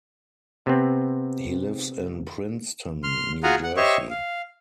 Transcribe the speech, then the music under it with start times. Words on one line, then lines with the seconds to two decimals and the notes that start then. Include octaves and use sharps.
He lives in Princeton, New Jersey.
0.67 C3 B3 C4
3.03 C6 F6
3.43 F4 F#4 G#4 F#5 G#5 A#5
3.63 F#5
3.77 G4 C5 C#5 D#5 E5 C#6
4.10 F5